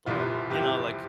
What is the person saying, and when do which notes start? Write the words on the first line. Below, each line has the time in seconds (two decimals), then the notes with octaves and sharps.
But, you know, like,
0.06 C2 C3 E3 F4
0.50 C2 C3 E3 G4